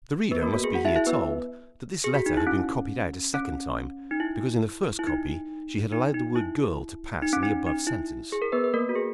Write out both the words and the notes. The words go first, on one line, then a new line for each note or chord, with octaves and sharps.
The reader must be here told that this letter had been copied out a second time because in the first copy she had allowed the word girl to pass in the above sentence.
B3 B4
A#3 A#4
F#4
G#4
F#4 F#5
E4 E5
E4 E5
B3 B4
G#4
F#4
D#4
E4
C#4
C#4
D#4
E4
E4
D#4
D#4
D#4
E4
D#4
C#4
D#4
D#4
E4
G#4
A#4
B3 B4
B4
A#3 A#4
F#4
G#4